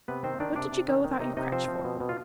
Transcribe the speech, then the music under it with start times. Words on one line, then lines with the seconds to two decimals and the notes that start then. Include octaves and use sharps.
What did you go without your crutch for?
0.08 C3 B3 B4
0.24 D#3 C4 C5
0.40 D#3 D4 D5
0.56 C3 D4 D5
0.72 C3
0.88 D#3
1.04 D#3
1.20 C3 D#4 D#5
1.37 C3 D#4 D#5
1.52 F3 C4 C5
1.68 F3
1.84 B2
2.00 B2
2.09 F4